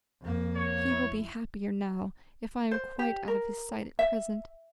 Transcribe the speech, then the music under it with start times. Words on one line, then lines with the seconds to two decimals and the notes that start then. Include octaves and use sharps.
He will be happier now if I am quite out of his sight at present.
0.21 F2 A#3
0.56 C#5
0.91 E4
2.71 C5
2.99 G4
3.28 A#4
3.99 E5